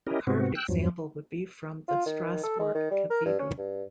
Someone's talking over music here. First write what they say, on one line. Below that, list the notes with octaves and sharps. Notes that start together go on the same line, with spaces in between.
A carved example would be from the Strasbourg Cathedral.
C#4 E4 G4 A#4 D#5
G#2 C3 B3 C4 F#4
G5 E6 F#6
E2 G2 F3 F#3
F4
D#3
A4
G#3
D#3
G3
A#4
G2
C#4
G2